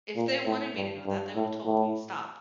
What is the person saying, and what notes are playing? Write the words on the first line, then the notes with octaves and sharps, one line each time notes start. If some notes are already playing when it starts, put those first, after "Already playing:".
If they wanted me to know that, they would have told me, stop."
A#2
A2
G2
G2
A2
A2